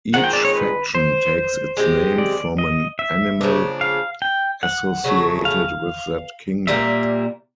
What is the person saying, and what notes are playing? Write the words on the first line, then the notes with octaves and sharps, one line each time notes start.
Each Faction takes its name from an animal associated with that kingdom.
D#3 G#3 C4 F4 F#5
G5
D5
C#5
B4
C5
G#3 C4 E4 G4
D5
D#5
E5
C#3 F3 A#3 D4
F5
G5
F#5
C#3 F#3 A3
F5
A#2 G3 A#3 E5